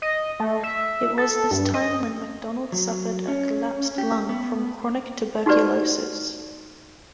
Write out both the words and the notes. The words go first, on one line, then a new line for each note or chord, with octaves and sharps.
It was this time when Macdonald suffered a collapsed lung from chronic tuberculosis.
D#5
A3
E5
A4
G2
D#5
F#3
C#4
G4
B3
D#4 F#4 G4 B4 D5